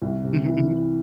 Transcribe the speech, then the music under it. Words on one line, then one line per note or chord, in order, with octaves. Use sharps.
Mhm, mhm.
C2
C3
E3
E3